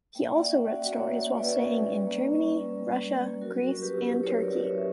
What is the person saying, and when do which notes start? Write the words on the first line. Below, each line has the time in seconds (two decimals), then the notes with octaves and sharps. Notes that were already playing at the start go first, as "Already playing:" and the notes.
He also wrote stories while staying in Germany, Russia, Greece, and Turkey.
0.15 A#3 E5 G5
0.35 D5 F#5
0.43 C#4
0.56 E5 G5
0.70 F#4
0.76 D5 F#5
0.90 F#5
0.97 A#3 C#5 E5
1.24 A#3
1.38 B4 D5
1.51 C#4
1.79 G3
2.06 A#3
2.33 C#4
2.60 G3
2.87 G3
3.15 A#3
3.42 F#3 F#4 A#4
3.69 C#4
3.82 G4 B4
3.96 E4
4.23 F#3 A#4 C#5
4.44 B4 D5
4.50 F#3
4.64 C#5 E5
4.77 C#4